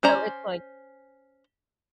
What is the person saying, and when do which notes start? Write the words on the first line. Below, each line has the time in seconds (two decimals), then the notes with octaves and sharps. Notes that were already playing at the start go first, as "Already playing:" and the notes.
So, it's like
0.03 C#4 C5 D5 A#5